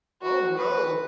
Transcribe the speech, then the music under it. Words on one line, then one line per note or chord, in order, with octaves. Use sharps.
Oh, no!
F#4
B4